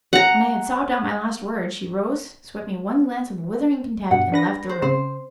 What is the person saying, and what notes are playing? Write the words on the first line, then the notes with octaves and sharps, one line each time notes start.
When I had sobbed out my last word she rose, swept me one glance of withering contempt, and left the room.
F#5 A#5
G2 B2 F#5
D4 B4 A#6
C5
C#3 C4 C5